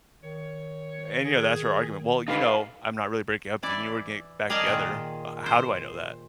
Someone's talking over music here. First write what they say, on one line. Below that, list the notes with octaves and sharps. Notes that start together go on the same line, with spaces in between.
And, you know, that's her argument, "Well, you know, I'm not really breaking up, th you know we're get back together." H how do I know that?
D#3 C#5
G#4
A3 D#4 G4 B4 F5
E3 E4 D5
G#4 A#4 D5 D#5 G#5 A5
A#2 D#3
C5